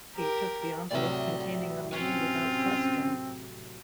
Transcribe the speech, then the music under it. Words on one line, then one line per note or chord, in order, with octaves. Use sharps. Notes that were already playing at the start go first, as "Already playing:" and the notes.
He took the envelope containing the money without question.
G4 A#4
A2 C3 F#3 D5 E5
C4 C#4 F4